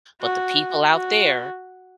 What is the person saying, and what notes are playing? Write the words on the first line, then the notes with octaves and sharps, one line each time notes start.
But the people out there
F#4
F#4